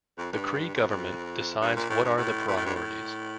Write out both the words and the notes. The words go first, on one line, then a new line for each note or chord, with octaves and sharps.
The Cree Government decides what are the priorities.
F2
G2
F2
F2
G2
A#2
A2
G2
A2
A#2
A2
G2
A2